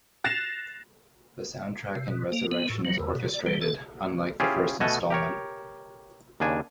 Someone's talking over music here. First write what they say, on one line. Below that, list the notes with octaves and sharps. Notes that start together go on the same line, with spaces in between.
The soundtrack in "Resurrection" is orchestrated, unlike the first instalment.
F#6 A6 A#6 C7 E7 F7
C3
B2
A#3
B3
A2
F#3
E2
B2
D5
G3
A4
C#4 E4 F4 G4 G#4
B2 A3 D#5 F#5 G#5 A5
G4 A#4 C#5
D#2 C#3 D4 G#5